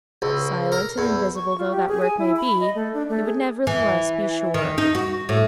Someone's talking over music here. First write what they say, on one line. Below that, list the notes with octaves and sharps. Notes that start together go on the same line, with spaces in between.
Silent and invisible though that work may be, it would nevertheless be sure.
C#2
A#4
E2
C#6
F4
G4
G#4
G#5
E4
B5
D#5
A3
D4
A3
G#4
E3
D#3
D#4
F#4
A2